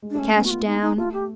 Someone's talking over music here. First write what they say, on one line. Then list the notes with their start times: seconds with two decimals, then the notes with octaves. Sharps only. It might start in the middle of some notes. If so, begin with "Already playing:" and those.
"Cash down?"
0.02 G#3
0.11 D4
0.15 A3 C#4
0.27 A#3
0.34 B3 C#4
0.45 F#4
0.51 F4
0.66 D#4
0.82 D#4
0.98 A3 F4
1.13 G4